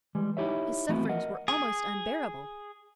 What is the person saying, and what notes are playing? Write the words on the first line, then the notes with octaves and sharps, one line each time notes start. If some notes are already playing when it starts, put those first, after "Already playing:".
His sufferings were almost unbearable.
E3 G3 G#3
D#4 E4 G4 C#5 E5
E3 A3 B3 C4 E4 F#4
A#4 D#5 F#5
G#4